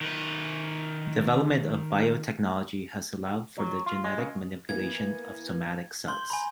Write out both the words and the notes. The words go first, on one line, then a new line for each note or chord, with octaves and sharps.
Development of biotechnology has allowed for the genetic manipulation of somatic cells.
D#3 B4
F#3
F4
G#3
C#3
E3 A#3 B3 G#6
C6 G6
G#5 A#5 B5